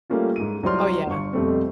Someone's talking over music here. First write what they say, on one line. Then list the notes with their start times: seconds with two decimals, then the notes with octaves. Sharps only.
Oh, yeah.
0.10 G3 A3 A#3 C#4 F4
0.36 G#2 D#7
0.63 C2 F#3 C5 D5 C6 F6
1.07 G1 C#6
1.33 F2 B2 G3 A3 C4